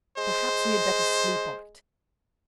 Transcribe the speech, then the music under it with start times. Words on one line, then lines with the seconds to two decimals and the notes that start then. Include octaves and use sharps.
Perhaps we had better sleep on it.
0.18 G#3 C5